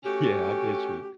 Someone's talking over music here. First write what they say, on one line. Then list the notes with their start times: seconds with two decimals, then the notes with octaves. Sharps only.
yeah. I get you.
0.05 A3 C#4 F#4 G4